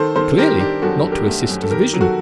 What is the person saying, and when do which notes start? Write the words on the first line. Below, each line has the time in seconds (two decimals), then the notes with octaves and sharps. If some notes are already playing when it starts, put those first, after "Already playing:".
Clearly, not to assist his vision.
Already playing: D#3 A4 C5
0.16 D#3 A4 C5
0.38 D#3 G4 A#4
0.60 D4 G4
0.82 F#2 F#4 A4
1.05 D4
1.12 G4 A#4
1.27 A3
1.49 F#2
1.62 A4
1.71 D#3 G4 A#4
1.93 F#3
2.01 F#4 A4